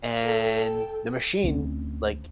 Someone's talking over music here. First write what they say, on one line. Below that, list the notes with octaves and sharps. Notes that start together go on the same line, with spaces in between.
and the machine, like,
A4 G5
D2 C4 C#4